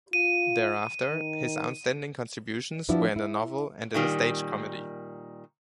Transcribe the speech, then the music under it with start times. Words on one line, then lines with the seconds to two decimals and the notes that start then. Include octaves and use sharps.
Thereafter, his outstanding contributions were in the novel and in a stage comedy.
0.13 F4 D#7
1.11 D#3
2.89 F3 D4 E4 F#4 B4
3.16 E4
3.94 A#2 D#3 G3